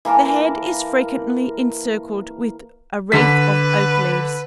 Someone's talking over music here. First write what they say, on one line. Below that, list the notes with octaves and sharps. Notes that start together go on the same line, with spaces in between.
The head is frequently encircled with a wreath of oak-leaves.
E3 A#3 A#4 A5
D3 B4 B6